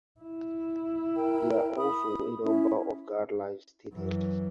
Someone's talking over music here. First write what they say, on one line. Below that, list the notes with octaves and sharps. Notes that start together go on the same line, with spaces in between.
There are also a number of guidelines stated.
E4
A#4 G5
B5 D#6
C#4 E4 E5
F#2 E3